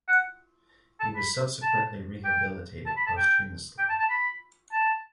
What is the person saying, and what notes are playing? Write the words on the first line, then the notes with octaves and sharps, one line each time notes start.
He was subsequently rehabilitated posthumously.
F#5
A5
B5
A5
G5
A5
B5
A5
G5
G5
A5
A5
B5
A5